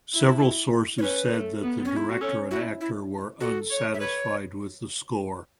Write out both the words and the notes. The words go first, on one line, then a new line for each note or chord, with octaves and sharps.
Several sources said that the director and actor were unsatisfied with the score.
E4
C#5
C#4 B4
A3
B3
C#4
E4
F#4
C#4 A4
E4 F#4
E4
F#4 A4
C#5
E5
B4 C#5